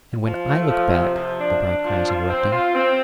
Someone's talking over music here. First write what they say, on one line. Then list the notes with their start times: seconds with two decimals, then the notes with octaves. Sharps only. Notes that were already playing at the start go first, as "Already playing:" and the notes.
'And when I look back--' the bride cries, interrupting.
0.25 F3
0.48 A3
0.70 F3
0.93 C3
1.15 F3
1.39 D4
1.62 D4
1.83 F3
2.07 F4
2.29 C4
2.51 F4
2.74 C4